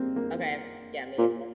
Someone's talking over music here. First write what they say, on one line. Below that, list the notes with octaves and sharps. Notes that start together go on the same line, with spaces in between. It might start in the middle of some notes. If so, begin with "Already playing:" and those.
Okay, yeah, me either.
Already playing: G3 A#3 C4
A#3
A#2